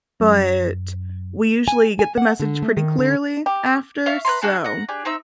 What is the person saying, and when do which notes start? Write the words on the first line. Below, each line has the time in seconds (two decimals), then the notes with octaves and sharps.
but we usually get the message pretty clearly after, so
0.20 F#2
1.68 G#5
1.99 G#5
2.18 F#5
2.40 D3
2.62 A3
2.77 D#3
2.98 D3
3.46 G4
4.06 C#4 E5 F5
4.25 B4 C#5 A#5 C6
4.42 D4 F#4 G#4 A5
4.64 F#5 A#5
4.89 D4 G4 G#4
5.05 C4 D#4 E5 E6